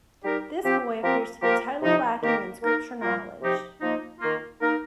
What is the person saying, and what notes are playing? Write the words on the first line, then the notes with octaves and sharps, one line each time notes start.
This boy appears to be totally lacking in Scripture knowledge.
G3 D#4 G4 A#4
F3 C4 G4
F3 C4 G4 A#4
F3 A#3 G4 A#4
C3 F3 D#4
D#3 A#3 G4 A#4
A#3 D#4 A#4
A#2 G3 A#3 F4 A#4
C3 F3 D#4 G4 C5
F3 A#3 D#4
D#3 A#3 F4
A#3 D#4 A#4